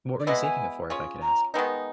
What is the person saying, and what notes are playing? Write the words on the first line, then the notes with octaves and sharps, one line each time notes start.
What were you saving it for, if I could ask?
D5
B2 G#3 B3 E4 D#5
G#5
C#4 F4 G#4 C#5
A#5
D#3 G#3 B3 D#4